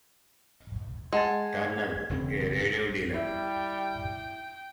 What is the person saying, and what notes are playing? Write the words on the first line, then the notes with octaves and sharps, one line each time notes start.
Turner, a radio dealer.
G#3 F#5 A5 G#6 A6
E1 C#3 C4
G3 E4 G5